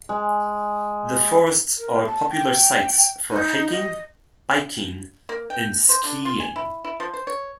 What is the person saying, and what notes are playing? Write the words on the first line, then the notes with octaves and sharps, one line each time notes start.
The forests are popular sites for hiking, biking and skiing.
G#3
A#4
A5
G5
D#4
D#5
A#3
G5
C5
D3
F4
G#5
E4
E4
F3
C5
C#5